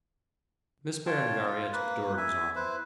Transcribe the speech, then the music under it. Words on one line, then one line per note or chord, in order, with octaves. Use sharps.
Miss Berengaria took Durham's arm.
F4 C#5 G5 A5
F4
A#3 B4
E5 G#5
E4 B4 C5